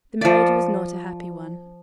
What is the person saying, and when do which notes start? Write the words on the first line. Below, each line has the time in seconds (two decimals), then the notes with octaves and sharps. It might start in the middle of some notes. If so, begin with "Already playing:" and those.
The marriage was not a happy one.
0.21 F3 D5